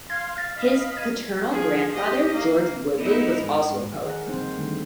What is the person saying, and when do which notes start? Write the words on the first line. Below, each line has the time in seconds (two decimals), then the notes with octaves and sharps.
His paternal grandfather George Woodley was also a poet.
0.10 F5 C6 G#6
0.37 F5 F6 A6
0.57 D#5 F5 B5
0.97 G#6 D#7
1.50 F3 G#4
1.93 G4 D#5
2.34 A#3
2.99 B3 D#4 E4
3.38 G#2
4.04 D#3 G#4 A#4 F#5
4.27 G3 A#3 C4 D#4 C5
4.56 D3 D#3 G3 A3